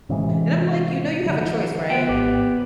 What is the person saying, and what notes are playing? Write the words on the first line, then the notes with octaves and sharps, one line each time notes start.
and I'm, like, "You know you have a choice, right?
A1 C3 E3 G#3
D3 F#3
B3 G5
G#1 G4